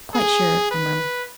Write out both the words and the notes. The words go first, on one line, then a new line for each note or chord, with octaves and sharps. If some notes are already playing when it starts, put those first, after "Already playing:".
"Quite sure," I murmured.
G#4
B4